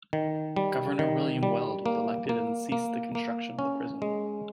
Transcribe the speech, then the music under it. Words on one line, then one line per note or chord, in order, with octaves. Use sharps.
Governor William Weld was elected and ceased the construction of the prison.
D#3
G3
D#3
G3
A#3
A#3
A#3
A#3
C#4
G#3